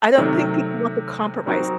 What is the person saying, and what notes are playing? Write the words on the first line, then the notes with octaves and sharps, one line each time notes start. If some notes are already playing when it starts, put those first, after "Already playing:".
I don't think people want to compromise.
C3 D#3 F#3 A3
F#3 C4 D#4 F#4 A#4